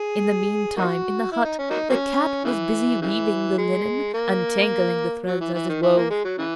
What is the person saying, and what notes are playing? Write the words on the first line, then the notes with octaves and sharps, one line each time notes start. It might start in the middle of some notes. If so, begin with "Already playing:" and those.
In the meantime in the hut the cat was busy weaving the linen and tangling the threads as it wove.
Already playing: G#4
A#3 D#4 F#4
E4
D#4
C#4
F#3 A#3 D#4
F#3 A#3 C#4
C#3 E3
C#3 E3
G#3
A#3
F#3
E3
E3
D#3
E3
A#3
G#3
F#3
C#3 E3